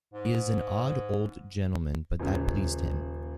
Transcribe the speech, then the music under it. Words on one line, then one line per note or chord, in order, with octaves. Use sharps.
He is an odd old gentleman, but that pleased him.
G#2
D#1 C#3